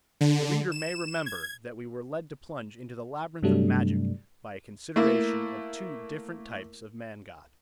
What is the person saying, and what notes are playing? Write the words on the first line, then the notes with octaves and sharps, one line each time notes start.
THE READER may remember that we were led to plunge into the labyrinth of magic by a consideration of two different types of man-god.
D3
E7
G#6
G2 C3 F#3 G3 A3 D4
A3 A#3 E4